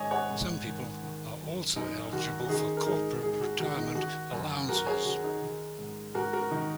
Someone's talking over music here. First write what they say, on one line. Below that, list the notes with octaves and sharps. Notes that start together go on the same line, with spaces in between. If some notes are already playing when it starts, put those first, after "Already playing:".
Some people are also eligible for corporate retirement allowances.
Already playing: G#2 D#3 C#5 D#5 G#5
C#5 F#5
G#2
D#3
D#3
F#2
F#2 D#4
D#3 F#4
F#4
D#3 D#4 G#4
A#4
G#2 D#4 G#4
G#2 D#4 G#4
F#4
D#3 F#4
D#4
D#3 F#4
F#2
F#2 F#4 A#4
G#4 C#5
D#3 F#4
D#4 G#4
D#3
G#2
G#2 F#4 A#4
F#4 A#4
D#3 D#4